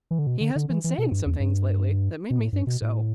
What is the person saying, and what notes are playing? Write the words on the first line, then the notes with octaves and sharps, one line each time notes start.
"He has been saying some things lately, that made me think so."
E3
D3
B2
D3
D3
E3
E3
B2
G2
E2
G2
B2
A2
G2
B2
A2